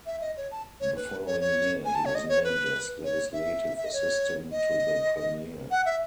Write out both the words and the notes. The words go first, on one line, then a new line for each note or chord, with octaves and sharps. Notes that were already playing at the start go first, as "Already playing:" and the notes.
The following year, he was named as Legislative Assistant to the Premier.
E5
D#5
C#5
A5
C#5
B4
C#5
C#5
G#5
A5
C#5
D#5
C#5
B4
C#5
E5
E5
D#5
C#5
D#5
F#5
E5